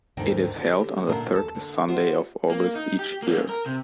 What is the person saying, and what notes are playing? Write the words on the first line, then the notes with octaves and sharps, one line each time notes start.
It is held on the third Sunday of August each year.
D#2 G#2 D3 D#3 D#4 G5
D3 G4
A#2 D3 A#3 B3 E4
D#2 A4
D3
F4 G4 C5 E5 F#5
A#3
D#4
G4
A#3 C#4
A#4
C3